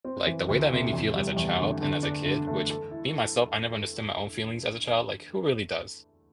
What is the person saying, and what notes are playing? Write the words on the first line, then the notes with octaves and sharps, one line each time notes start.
Like, the way that made me feel as a child, and as a kid, which, being myself, I never understood my own feelings as a child, like, who really does?
C4
E3
D2
C3
E2
G3
E2
D3
D3
D4
D3
A3
A4
E4